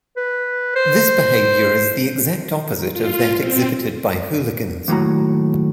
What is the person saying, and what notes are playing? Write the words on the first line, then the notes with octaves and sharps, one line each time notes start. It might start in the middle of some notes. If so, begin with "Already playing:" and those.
This behavior is the exact opposite of that exhibited by hooligans.
B4
C5
F4
C4
D#2 A2 F#3 A#5